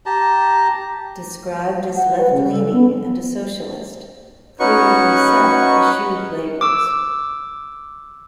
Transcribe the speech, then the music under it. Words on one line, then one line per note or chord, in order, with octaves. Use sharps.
Described as left-leaning and a socialist, Cleary himself eschewed labels.
G4 A5 A#5
F#5
B4
C#3
A4
B3
C#4 D#4 F#4 B4 C#6
D6 E6